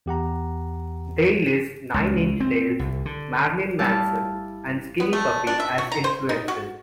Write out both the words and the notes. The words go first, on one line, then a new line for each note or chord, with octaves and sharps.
They list Nine Inch Nails, Marilyn Manson and Skinny Puppy as influences.
E2 G4 F#5 A#5
C#2
C4
C2
D3
G3 E4 F5 A5 E6
B3
A3
D4
E5
F#4
A#5
C5
D#4
F#4